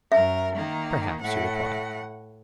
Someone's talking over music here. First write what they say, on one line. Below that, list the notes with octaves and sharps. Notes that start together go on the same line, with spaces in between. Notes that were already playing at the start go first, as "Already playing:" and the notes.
Perhaps, he replied.
F#2 A#4 E5
D#3 A#3
A2 F#5